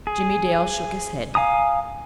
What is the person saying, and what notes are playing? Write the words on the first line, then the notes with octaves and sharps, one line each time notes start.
Jimmie Dale shook his head.
G#4
F5 G#5 A#5 D#6